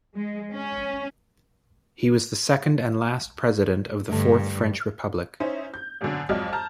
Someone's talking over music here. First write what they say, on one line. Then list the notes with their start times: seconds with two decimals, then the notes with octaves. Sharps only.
He was the second and last president of the Fourth French Republic.
0.16 G#3
0.53 C#4
4.10 G2 D3 A3
5.40 C#4 D#4 E4 C5
5.74 G6
6.01 G#1 F#2 B2 D3
6.29 F2 G#2 F#3 D5 D#5 F6
6.53 A5 A#5 F6 G6